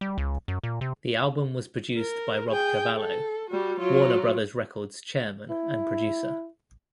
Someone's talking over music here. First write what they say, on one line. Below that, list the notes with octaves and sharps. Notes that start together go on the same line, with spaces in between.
The album was produced by Rob Cavallo, Warner Brothers Records' chairman and producer.
G3
C#2
F#2
A#2
C3
A#4
G#4 G5
A4
G3 F#4
F#3 F4
E4